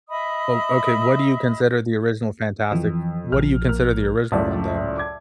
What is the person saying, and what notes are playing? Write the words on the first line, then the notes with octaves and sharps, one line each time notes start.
Oh, okay. What do you consider the original Fantastic f What do you consider the original one, though?
D#5 E5 B5 D#6
F2 E3
A#1 F3 F6
A#3 F6
C#2 F#2 A2 D5 E5 A5
D6 G#6